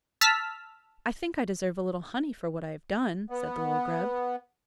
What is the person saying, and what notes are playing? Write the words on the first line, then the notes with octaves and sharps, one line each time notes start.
"I think I deserve a little honey for what I have done," said the little Grub.
A5 E6 F6 B6
B3